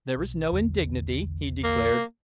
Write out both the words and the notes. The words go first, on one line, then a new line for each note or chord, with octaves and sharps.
"There is no indignity," he declared.
B1
A#1 E2 D3
A#3